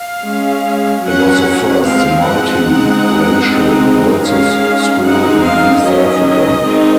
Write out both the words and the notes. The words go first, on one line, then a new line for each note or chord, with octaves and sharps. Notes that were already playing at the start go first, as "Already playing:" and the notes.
It was the first multi-racial girls' school in East Africa.
Already playing: F5
G#3 C#4
F#3 C#4 F#5
F3 G#3 C4 F5
F#5
G#3 C4 D#4
G#3 C4 D#4
D#3 G#3 C#4 F5
G#3 C4 D#4 F#5
F5
D#3 F#3 C#4 D#5
D#3 G#3 C4 D#4